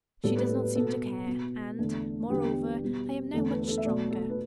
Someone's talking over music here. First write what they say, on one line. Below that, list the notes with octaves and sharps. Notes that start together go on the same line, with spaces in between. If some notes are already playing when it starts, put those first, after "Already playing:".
She does not seem to care, and, moreover, I am now much stronger.
A2 G3 B3 A4
B4
A4
B4
B2 B3 A4
B2 B3
E2 D3 A3
E2 D3 G3 B3 G4
B2 G3 B3
E2 D3 A3 A4
B4
B4
A4
E5
B2 A3 D5
A4
B4